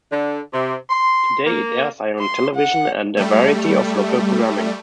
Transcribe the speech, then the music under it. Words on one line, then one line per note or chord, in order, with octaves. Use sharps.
Today it airs Ion Television and a variety of local programming.
D3
C3
C6
A#3
C6
F#5
G3 A3